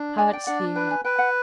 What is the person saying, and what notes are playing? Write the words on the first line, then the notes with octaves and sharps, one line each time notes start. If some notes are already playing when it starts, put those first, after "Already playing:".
Hart's Theory.
Already playing: D4
D5 G#5
G5
D4 F#5
B4 G5
G#5
B4 G5
F#5